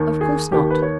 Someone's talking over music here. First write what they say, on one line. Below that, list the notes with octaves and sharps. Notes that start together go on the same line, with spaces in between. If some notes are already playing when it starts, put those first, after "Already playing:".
"Of course not."
Already playing: D#2 D#3
G#4
D#2 D#3 G4
B4
C#5